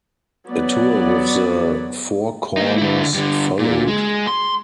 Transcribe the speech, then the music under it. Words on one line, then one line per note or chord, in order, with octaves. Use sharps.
A tour with The Four Corners followed.
F#3 B3 D5
A#3 D#4
D3 E4
G2 D3
A#2
G#3
C6